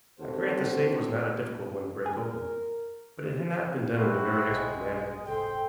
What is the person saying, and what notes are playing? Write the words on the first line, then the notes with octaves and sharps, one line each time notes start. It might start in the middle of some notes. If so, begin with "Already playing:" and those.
I grant the safe was not a difficult one to break open, but it had not been done in a very expert manner.
D#2 C4 F#4 A4 C5
G#4 A#4
A#2 C4 E4 F#4
B1 G#3
F#1 C2 G#2 A4 C5 G5